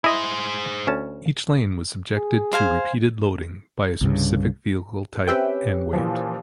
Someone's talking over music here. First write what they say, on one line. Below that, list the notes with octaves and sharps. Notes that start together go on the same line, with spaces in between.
Each lane was subjected to repeated loading by a specific vehicle type and weight.
E4 G#4 C5 D#5
D2 C#4 A5
G#4
C5 F5 G#5
C2 G2 C#3
C4 C#4 G4 B4 E5 G5
A#2 E3 F3